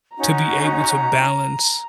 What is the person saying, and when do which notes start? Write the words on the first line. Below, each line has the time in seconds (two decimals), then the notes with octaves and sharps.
to be able to balance
0.17 C#4 D#4 F#4 A#5